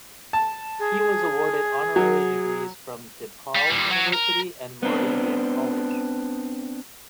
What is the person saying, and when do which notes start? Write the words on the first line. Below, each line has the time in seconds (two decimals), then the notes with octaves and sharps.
He was awarded honorary degrees from DePauw University and Moravian College.
0.33 A5
0.79 G#4
1.96 F#3
3.55 G3
3.70 A#2 G3
3.91 F#3
4.13 A#4
4.83 B3 C4 D4